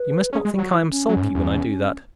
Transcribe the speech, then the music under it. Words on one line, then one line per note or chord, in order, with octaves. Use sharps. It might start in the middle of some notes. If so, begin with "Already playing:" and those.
You must not think I am sulky when I do that.
Already playing: B4
C#4 G#4
G#3
F#4
F#3
E4
C#4
F#3
F#2
G#2
E2